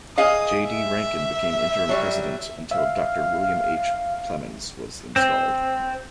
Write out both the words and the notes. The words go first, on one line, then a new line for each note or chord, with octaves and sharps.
J. D. Rankin became interim president until Doctor William H. Plemmons was installed.
G#4 D#5 F5 D#6
E5
F#3 G3
E5 F5
C4